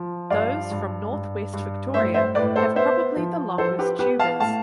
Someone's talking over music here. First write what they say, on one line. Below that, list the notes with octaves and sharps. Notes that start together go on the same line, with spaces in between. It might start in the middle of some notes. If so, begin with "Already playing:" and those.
Those from northwest Victoria have probably the longest tubers.
Already playing: F3
G2 D5 F5
G2
G2
G2
A2 C5 E5
C5 E5
A2 B4 D5
A4 C5
B3 C5 E5
F3
F3 A4 C5
G4 B4
B3 G4 B4
F5 A5
A2 F5 A5